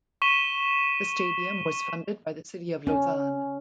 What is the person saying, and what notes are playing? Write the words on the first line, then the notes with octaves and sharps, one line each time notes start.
The stadium was funded by the City of Lausanne.
C#6 B6 D#7 E7 G7
C#4